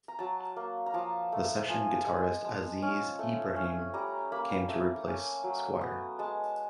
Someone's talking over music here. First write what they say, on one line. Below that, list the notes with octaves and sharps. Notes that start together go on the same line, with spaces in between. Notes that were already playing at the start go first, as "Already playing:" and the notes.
The session guitarist Aziz Ibrahim came to replace Squire.
A#5
F#3 A5
A#3
A#5
F3 A5
A3
F3 G#5
G#3
G#3 A5
C#4
A3
C#4
G3 A#5
A#3 B5
A3
C#4
F#3
B3
G#3 A5